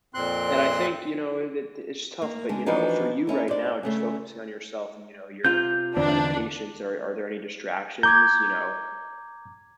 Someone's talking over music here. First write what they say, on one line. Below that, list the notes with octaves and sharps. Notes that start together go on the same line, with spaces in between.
And I think, you know, it it it's tough, but you know, for you right now, just focusing on yourself and, you know, your kind of patience, are are there any distractions, you know,
F2 A#2 C4 C6 F#6
A#3
C#3 G#3 D4
E3 F3 D4 D#4 F#4 B4
B3 C#4 E4 A#4
D4 C5 D5
C#3 A3 C#4
C3 F4 G6
E2 D3 C4 D4
A#5 D6 G6 G#6